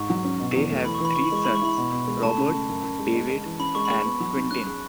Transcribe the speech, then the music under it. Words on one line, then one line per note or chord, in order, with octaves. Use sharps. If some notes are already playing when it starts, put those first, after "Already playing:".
They have three sons: Robert, David, and Quentin.
Already playing: G#2 C#6
F#3
C#4
B2
E2
A3
E3 B5
C#6
E3 B5
E3 C#6
B5
G#3 C#6
E4 B5
C#6
E4 B5
B2
B2
G#3
A3 A5
C#3
A3
F#2
F#2
G#3
G#3
G#3
E3
C#4 B5
G#3 C#6
B5
G#4 C#6
B3
F#3
D#4
C#4 F#6
G#4